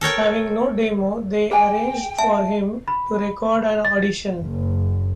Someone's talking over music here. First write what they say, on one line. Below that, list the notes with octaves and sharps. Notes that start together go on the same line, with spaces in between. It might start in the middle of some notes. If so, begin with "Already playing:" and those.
Having no demo, they arranged for him to record an audition.
A4 A#4 C#5 G5
G#4 G5 G#5
E5 A5
B5
A6
F#1